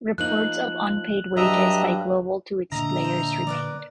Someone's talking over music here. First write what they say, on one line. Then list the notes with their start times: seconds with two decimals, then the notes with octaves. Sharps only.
Reports of unpaid wages by Global to its players remained.
0.18 F3 A#3 D#4 F#6 F#7
1.37 G2 F#3 D#5 E5 A#5
2.72 A#2 D3 D4 D#5 E5 A#5
3.04 C5
3.47 B3 A#4 D5